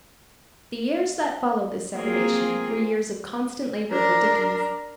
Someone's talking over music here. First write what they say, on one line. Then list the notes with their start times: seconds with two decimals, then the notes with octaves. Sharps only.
The years that followed this separation were years of constant labor for Dickens.
1.95 A#3 C4 F4 G#4
3.91 D4 A#4